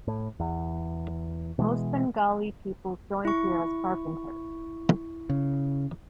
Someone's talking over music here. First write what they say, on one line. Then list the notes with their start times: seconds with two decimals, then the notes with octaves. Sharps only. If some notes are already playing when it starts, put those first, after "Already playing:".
Most Bengali people joined here as carpenters.
0.07 A2
0.40 E2
1.59 B2 E3 G#3
3.25 E4 C#6
5.30 C#3